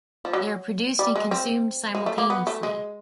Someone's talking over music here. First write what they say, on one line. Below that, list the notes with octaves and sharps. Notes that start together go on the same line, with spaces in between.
They are produced and consumed simultaneously.
F3
F#3
G3
G#3
C4
G#3
A3
A#3
B3
A3
G#3